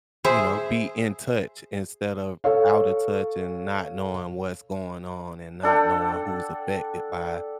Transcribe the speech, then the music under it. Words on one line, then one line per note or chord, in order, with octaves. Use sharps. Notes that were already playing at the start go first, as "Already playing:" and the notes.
you know, be in touch, instead of out of touch and not knowing what's going on and not knowing who's affected by
G#4 C5 E5
A4 C#5 F5
D4 A4 F#5 G5